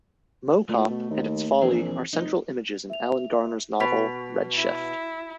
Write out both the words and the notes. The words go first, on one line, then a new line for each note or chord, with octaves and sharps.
Mow Cop and its folly are central images in Alan Garner's novel, "Red Shift".
A#2 A3
B2
D#2
A#1 E3 C4 G#4
F1 D#4
E5 F7
B2 B4 B6 F7
E4